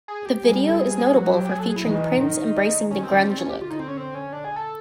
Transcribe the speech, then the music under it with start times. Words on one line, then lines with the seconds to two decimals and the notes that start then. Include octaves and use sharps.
The video is notable for featuring Prince embracing "the grunge look".
0.08 G#4
0.25 G4
0.44 G3 G#4
0.67 A4
0.79 G#4
0.97 G#4
1.14 F#3 F#4
1.32 G4
1.45 G4
1.50 G#4
1.59 A4
1.67 G#4
1.76 E4
1.85 E3 D#4
2.20 D#3
2.91 D#3 C#4
3.03 C4
3.15 C#4
3.26 C4
3.38 C#4
3.50 G4
3.61 D3 F4
3.70 D#4
3.79 C4
3.88 C#4
3.97 C4
4.15 C#4
4.33 D4
4.44 G#4
4.56 A4